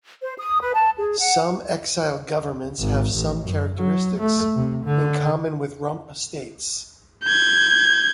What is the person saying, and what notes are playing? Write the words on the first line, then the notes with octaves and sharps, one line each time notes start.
Some exiled governments have some characteristics in common with rump states.
C5
D#6
B4
A5
G#4
F#5
G#1
A1
F#2
F#3
A3
C3
D3
G6 G#6